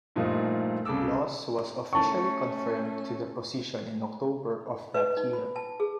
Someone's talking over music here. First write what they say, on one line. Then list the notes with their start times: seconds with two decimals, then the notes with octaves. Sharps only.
Laws was officially confirmed to the position in October of that year.
0.16 G2 A#2 F3 A3 D#4 F4
0.85 C2 C#3 A4 D6 E6
1.93 A3 C#4 A5 C#6
4.94 B4
5.17 D#4
5.33 B5
5.56 A5
5.80 G#4